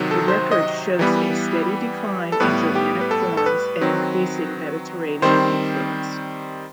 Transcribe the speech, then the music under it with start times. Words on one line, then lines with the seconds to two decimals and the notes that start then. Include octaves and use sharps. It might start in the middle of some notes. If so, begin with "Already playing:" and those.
The record shows a steady decline in Germanic forms and increasing Mediterranean influence.
Already playing: C3 D#3 F#3
0.11 A4
0.28 C5
0.51 D#5
0.99 E3 G3 B3
2.32 A4
2.40 A2 G3 B3 B4
2.75 G4
3.01 B4
3.11 A4
3.37 A4
3.46 B4
3.81 D#3 F#3 C4
5.22 D#3 G3 C4 C5